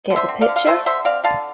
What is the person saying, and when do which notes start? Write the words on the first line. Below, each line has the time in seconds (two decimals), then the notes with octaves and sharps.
Get the Picture?
0.10 D3
0.16 C5 E5
0.28 C4
0.41 D5 F5
0.48 D3
0.56 F5
0.67 A3 C5 E5
0.86 D3 C5 E5
1.05 C4 D5 F5
1.24 D3 F5 A5